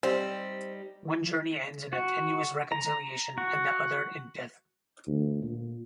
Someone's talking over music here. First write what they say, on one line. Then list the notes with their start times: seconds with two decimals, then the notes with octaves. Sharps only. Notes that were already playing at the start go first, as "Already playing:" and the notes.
One journey ends in a tenuous reconciliation, and the other in death.
0.03 G3 C4 D#4 G4
1.93 F#4
2.72 A#5
3.38 F#4
5.07 D2
5.42 A#2